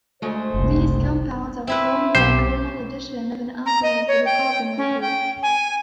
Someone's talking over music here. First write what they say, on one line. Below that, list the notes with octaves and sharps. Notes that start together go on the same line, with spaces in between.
These compounds are formed by formal addition of an alcohol to the carbonyl group.
D2 G#3 A3 C5
F#1 C2
C4 E4 B4 E5
B1 G4 C5
A#5
D#5
C#5
G5
C#4
G5
G#5